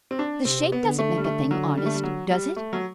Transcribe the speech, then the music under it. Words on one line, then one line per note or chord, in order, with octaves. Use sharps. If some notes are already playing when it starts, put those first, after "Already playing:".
"The shape doesn't make a thing honest, does it?"
C4
D4
C3 C4
B3
D3
A3
G3
A3
F#3
G3
A3
G3
F#3
G3
A3
F#3